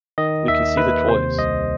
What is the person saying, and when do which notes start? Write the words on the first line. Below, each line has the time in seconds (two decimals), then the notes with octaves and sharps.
We can see the toys...
0.18 D#3 D#5
0.48 D#2 E5
0.77 D#2 B4
1.07 C3 C5
1.38 C2 D#5